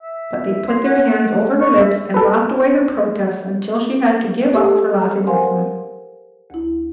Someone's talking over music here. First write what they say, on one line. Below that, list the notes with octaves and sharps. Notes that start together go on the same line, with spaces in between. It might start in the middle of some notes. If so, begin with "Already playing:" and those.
But they put their hands over her lips, and laughed away her protests until she had to give up for laughing with them.
E5
C6
F#5
C#6
E5
A4 B4
G4 A4 E6
A#4 C5 F5 F#5 G#5 C6
D2 E4